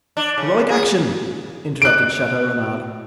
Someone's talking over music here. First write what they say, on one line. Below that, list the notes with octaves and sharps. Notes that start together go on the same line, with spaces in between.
"Heroic action," interrupted Chateau-Renaud.
D4
C#3
G#4
F#6 D7